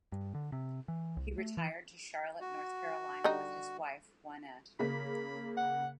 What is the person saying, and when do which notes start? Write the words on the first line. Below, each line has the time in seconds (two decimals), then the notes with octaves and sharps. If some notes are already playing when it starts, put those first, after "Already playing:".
He retired to Charlotte, North Carolina with his wife, Juanette.
0.12 G2
0.35 D3
0.52 C3
0.88 E3
1.17 C2
1.38 A3
1.57 E3
2.41 F#4
3.24 D3 G3 D#4
4.79 C#3 A#3 B5 B6
5.57 F#5